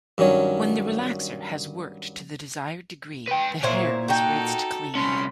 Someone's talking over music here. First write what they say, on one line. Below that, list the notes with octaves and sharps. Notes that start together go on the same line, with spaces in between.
When the relaxer has worked to the desired degree, the hair is rinsed clean.
G2 D#3 F#3 C#4 C#5
B4 G5
A#2 E4 C5 C#5
D#4 F#4 A4 G5
C2 C#4 B5 C6